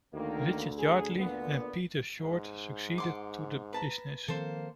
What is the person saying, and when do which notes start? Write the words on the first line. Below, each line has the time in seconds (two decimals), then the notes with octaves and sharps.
Richard Yardley and Peter Short succeeded to the business.
0.14 D2 D#3 A#3
0.78 G#4
1.18 A#2 D3 B3
2.21 G#2
2.98 F#5 C6 D6
3.73 B4 A5 A#5
4.28 D#3 F3 A#3 C4 A4 C5